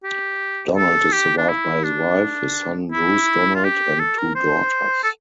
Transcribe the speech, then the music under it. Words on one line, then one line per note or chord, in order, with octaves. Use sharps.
Donald is survived by his wife, his son Bruce Donald and two daughters.
G4
A4
G4
D4
E4
D4
E4
F4
G4
A4
A#4
C5
A4